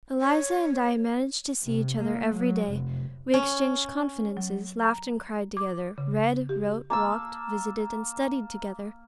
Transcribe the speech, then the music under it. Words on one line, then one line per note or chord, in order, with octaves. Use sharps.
Eliza and I managed to see each other every day; we exchanged confidences, laughed and cried together, read, wrote, walked, visited, and studied together.
C#5
C3
A#3
F#3
F1
C#4
F#3
A#5
D6
C#3
G4
A#3 A5 E6